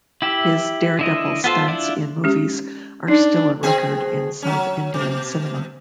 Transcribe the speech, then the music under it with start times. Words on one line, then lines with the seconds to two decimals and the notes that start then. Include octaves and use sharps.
His dare-devil stunts in movies are still a record in South Indian cinema.
0.22 E4 G4 E5
0.99 D3 E4 D#5
1.44 B3 F4 A4 C5
1.68 D4 E4 F4
2.24 G#3 C#4 G4
3.08 D4 D#4
3.63 B2 C4 G#4
4.42 F#3 C#4
4.94 B2